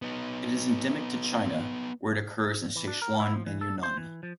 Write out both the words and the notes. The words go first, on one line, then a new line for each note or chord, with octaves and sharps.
It is endemic to China, where it occurs in Sichuan and Yunnan.
B3 D#4
E3
D4
A#4
E4
F3
E3
A4
C5
E3
F3